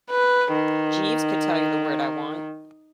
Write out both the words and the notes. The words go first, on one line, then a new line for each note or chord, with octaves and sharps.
Jeeves could tell you the word I want.
B4
D#3